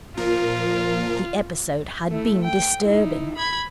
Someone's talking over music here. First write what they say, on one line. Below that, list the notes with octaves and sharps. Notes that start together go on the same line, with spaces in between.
The episode had been disturbing.
A#2 F3 F4 A#4
A3 E4
G5
D#4 E4
B5 G#6